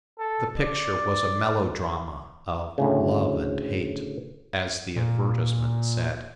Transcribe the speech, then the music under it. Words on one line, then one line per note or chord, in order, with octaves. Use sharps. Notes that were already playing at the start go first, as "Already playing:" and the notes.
The picture was a melodrama of "love and hate," as the advertisement said.
A4
D5
D2 A2 C#3
A#2